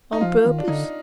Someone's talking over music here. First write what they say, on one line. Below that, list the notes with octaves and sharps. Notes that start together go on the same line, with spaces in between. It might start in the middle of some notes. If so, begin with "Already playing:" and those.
On purpose.
D#4
F3 F4
D#3
D4
D3 D#4